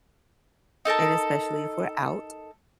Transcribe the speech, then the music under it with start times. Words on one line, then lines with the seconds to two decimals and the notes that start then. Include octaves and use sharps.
And especially if we're out
0.85 D#4 A4 A#4 A5